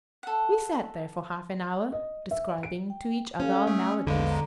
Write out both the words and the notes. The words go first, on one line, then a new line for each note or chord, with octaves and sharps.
We sat there for half-an-hour, describing to each other our maladies.
A4 F#5
D#5
E5
D7
G5
C#4 G4 A4 F5
A3 D#6 E6
A#1 E2 D3 G#3 B4 F5 B5
A#5